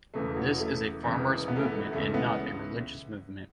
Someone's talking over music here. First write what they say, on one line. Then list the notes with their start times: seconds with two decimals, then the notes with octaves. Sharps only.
This is a farmers' movement and not a religious movement.
0.14 E1 E2 C#3 E3 A3
0.37 F#3
0.58 A3
1.03 E1 E2 C#3 E3
1.48 B3
1.56 A3
1.63 B3
1.92 C#2 C#3 E3 A3
2.14 B3